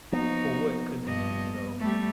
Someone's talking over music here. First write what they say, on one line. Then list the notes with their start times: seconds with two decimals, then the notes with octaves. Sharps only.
for what could be, you know,
0.12 F3 A#3 B3 D#4 F#4
1.03 G2 D#5
1.79 G3 A3